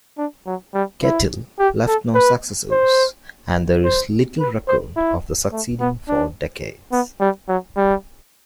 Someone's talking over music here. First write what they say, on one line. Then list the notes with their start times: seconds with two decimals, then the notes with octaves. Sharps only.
Ketill left no successors and there is little record of the succeeding four decades.
0.18 D4
0.46 F#3
0.74 G3
1.03 E4
1.60 G4
1.88 A4
2.15 B4
2.71 C5
3.84 C5
4.40 B4
4.68 C5
4.96 E4
5.52 A3
5.80 B3
6.08 D4
6.92 B3
7.21 G3
7.48 F#3
7.77 G3